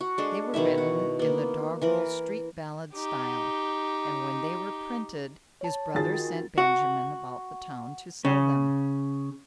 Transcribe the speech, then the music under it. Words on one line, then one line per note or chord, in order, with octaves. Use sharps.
They were written in the doggerel street-ballad style, and when they were printed, his brother sent Benjamin about the town to sell them.
F#4
G#3 D4 A4
B2 D#3 E4 E5
F#4
A#3 B3
E3 A#4 B4
D#4 G4
C#5 A5
D#3 F4 F#4 G#4 A#4 A6
F#4
C#3